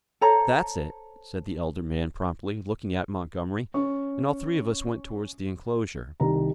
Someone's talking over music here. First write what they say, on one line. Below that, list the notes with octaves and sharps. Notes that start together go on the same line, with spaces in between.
"That's it," said the elder man, promptly, looking at Montgomery; and all three of us went towards the enclosure.
A4 C5 C#5 A#5
C#4 C#6
C2 D#3 A#5